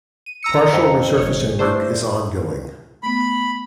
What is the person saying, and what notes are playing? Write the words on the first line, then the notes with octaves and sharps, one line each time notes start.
Partial resurfacing work is ongoing.
D#7
A#5 E6 C#7
F2
G1 C#5
A3 D4 E4 C5
A3 B3 B5